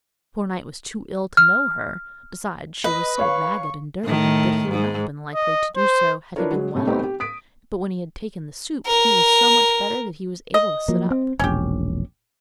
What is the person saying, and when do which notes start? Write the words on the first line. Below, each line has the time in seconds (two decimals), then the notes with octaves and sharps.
The poor knight was too ill to know her, besides, she was so ragged and dirty that he would not have been likely to do so had he been well; but when he had taken the soup he was so much better that he was able to sit up.
1.37 F6
2.84 B4 D#5
3.19 C#5 F5 C#6
4.03 A2 D#3
4.69 G#2
5.35 D#5
5.76 C5
6.36 D4 E4 F4 A#4 B4 C#5
6.51 F#3 G#3
6.75 A2 C3 A3
6.87 A3 B3 C4 D#4 G4 C5
7.04 G4
7.20 D#6 B6 D7
8.87 A#4
10.54 D#5
10.88 F3 F#3 A#3
11.11 C4
11.39 E1 A#1 C#4 G4